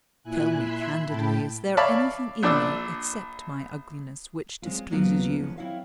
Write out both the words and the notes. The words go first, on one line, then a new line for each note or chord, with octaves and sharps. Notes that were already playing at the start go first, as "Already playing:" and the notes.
Tell me candidly, is there anything in me, except my ugliness, which displeases you?
A#2 E4 G#5 F#6
E5 B5 C6 E6 F#6 G#6
A2 G5 A5 B5
C#5 D5 E5 F5 A5 B5
A#1 D4 D5 E6
G#3 C4 C#4 F4
D2 E3 F#3 A#3 B3 F4
F3 G#3 B3 C#4
C4 E4 F4 C#5 E5 F5